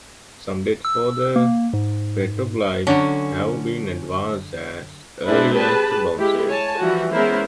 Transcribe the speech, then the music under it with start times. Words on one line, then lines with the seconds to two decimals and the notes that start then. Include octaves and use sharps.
Some dates for the petroglyphs have been advanced as early as the Bronze Age.
0.85 E6
1.36 A#3
1.73 G#2
2.87 D3 F#3 C#4
5.25 G#3 C4 D4 E4 G#4 B4
5.54 G4 G#4 B4 A5
6.18 G#3 E4 G4
6.47 C#5 G#5 A5
6.77 E3 F3 G3 F#4
7.11 G#3 B3 C#4 E4 A#4 C5